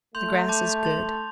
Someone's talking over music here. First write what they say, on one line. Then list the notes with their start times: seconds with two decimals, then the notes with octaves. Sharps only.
The grass is good.
0.15 A3 C6 G6 F7
0.49 A5 D6 G6 F7
0.83 C6 A6 F7